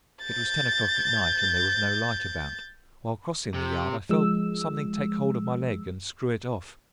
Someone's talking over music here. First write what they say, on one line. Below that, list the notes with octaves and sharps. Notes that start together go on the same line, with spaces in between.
It was ten o'clock at night, and there was no light about. While crossing the yard I felt something take hold of my leg and screw it off.
G6 A6
C3
F3 G#3 E6